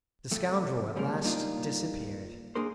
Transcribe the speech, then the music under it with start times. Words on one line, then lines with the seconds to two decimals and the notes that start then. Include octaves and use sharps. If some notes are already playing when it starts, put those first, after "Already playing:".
The scoundrel at last disappeared.
0.31 F2 A3
0.96 C#3 G3 G#3 A#3 A#4
1.23 G3 A#3 D4 D#4 F4
2.55 A#3 D4 G#4 A#4 C5